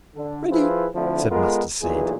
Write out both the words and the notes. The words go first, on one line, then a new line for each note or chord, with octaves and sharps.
"Ready," said Mustardseed.
D3
F3 E4 F4 G#4 B4
D2 D3 F3 C4 E4
G#3 B3 F4 A4 A#4
B1 A#2 E3 B3 G#4